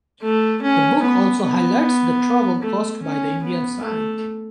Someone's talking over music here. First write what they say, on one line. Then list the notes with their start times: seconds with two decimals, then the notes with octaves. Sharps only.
The book also highlights the trouble caused by the Indian side.
0.22 A3
0.62 C#4
1.02 B3
1.43 B3
2.62 A3
3.03 C#4
3.43 B3
3.84 A3